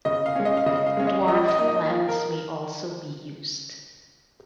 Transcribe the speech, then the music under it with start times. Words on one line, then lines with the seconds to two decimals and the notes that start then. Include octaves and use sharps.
Dwarf plants may also be used.
0.05 C#3 D#5
0.26 F5
0.35 G#3 C#4
0.45 D#5
0.57 F5
0.66 C#3 D#5
0.87 F5
0.97 G#3 C#4
1.07 D#5
1.27 F3 D#5
1.48 D#5
1.59 A#3 D#4
1.68 D#5
1.89 F3 F5
2.08 A#4